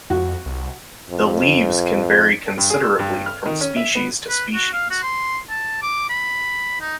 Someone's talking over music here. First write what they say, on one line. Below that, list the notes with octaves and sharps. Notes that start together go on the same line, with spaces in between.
The leaves can vary considerably from species to species.
F2 F#4
C2
F2
G2
G#4
E6
G2
F6
D#3
C#4
E5
B3
B4
F#4
F5
F#4
C6
A5
D6
B5
D#4